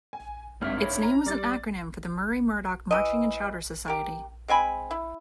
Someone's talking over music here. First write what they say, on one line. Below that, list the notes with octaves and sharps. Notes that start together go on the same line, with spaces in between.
Its name was an acronym for the Murray Murdoch Marching and Chowder Society.
G#5
G#1 G2 G#3 C4 E5 F6
E4 C#5
A#5
G3 D5 A6
E3 D#5
G4 A#4
G#3 C4 G#5 B5
E4